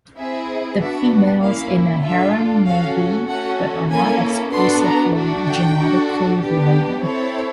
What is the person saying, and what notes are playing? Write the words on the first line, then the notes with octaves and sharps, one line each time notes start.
The females in a harem may be, but are not exclusively, genetically related.
C4 E4 G#4 E5
B3 D4 F#4 E5
A#3 C#4 E4 F5
D4 F4 A4 E5
C#4 F#4 A4 F5
A3 C#4 F#4 A4 F#5
A#3 C#4 E4 A4 G#5
B3 D4 F#4 A4 C6
A#5
A3 D4 F#4
G5
D4 F#4 A4
B3 D4 G4
C4 E4 A4 C#5